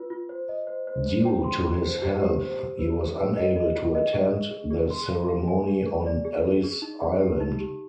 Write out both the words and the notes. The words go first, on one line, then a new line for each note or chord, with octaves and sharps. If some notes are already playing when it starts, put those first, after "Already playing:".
Due to his health, he was unable to attend the ceremony on Ellis Island.
Already playing: F4 B4
F4
C5
D#5
C5
C5
C5
G5
C6
F4
C5
G4
G4
C5
G4
B4
G4
B4
D#5
D#5
F4
D#5
G#4
G#4
G#4
G#4
C6
F5
F5
G#5
G#4
G#4
D5
G#4
G#4
G#4
D#4
G#4
G4
D#4
G4